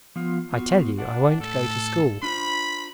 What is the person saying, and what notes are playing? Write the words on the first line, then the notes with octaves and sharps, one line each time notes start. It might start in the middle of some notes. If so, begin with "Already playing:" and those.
"I tell you I won't go to school."
F3 B3 F4
B3 F4 F#4
D4 F#5
A2 A4
D4 F4 C5 B5